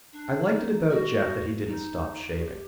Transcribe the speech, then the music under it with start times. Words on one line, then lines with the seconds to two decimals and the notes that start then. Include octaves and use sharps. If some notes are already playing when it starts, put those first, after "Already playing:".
I liked it about Jeff that he didn't stop shaving.
0.12 D4
0.51 D#4
0.90 F#4
1.67 D#4
2.37 F#4
2.44 G4